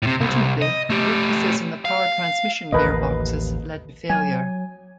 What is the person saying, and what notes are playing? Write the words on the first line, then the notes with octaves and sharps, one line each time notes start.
Ultimately, weaknesses in the power transmission gear boxes led to failure.
A2 C3
C2
D#5
A3 G4
F5
A1 D#2 D3 A#4 B4 D#5
F#3 G#5